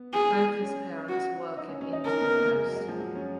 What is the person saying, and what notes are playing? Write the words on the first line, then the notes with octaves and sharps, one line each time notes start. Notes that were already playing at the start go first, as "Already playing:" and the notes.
Both his parents work in India Post.
Already playing: B3
G#4
C#4
F#4
D#4
C#4
C#4
D#4
C#4 A#4
B3
A#3
G#3
F#3
G#3
F3
F#3
C#4